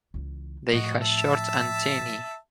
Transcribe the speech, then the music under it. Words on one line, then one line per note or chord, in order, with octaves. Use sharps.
They has short antennae.
C#2 E3
A2 F3 F#4 D#5
E5 A5